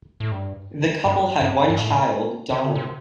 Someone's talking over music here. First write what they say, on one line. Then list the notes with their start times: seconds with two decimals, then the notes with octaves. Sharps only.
The couple had one child, Donald.
0.20 A2
0.31 G2
1.05 G2
1.41 G2
1.70 G2
1.78 A2
2.51 C3
2.63 D3
2.75 C3